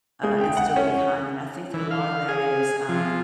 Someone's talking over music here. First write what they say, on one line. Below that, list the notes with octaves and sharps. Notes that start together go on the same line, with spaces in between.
uh, and still be kind and I think that a lotta that is, um,
G#3
G5
F#5
C#4
E3
F5
G#4
F3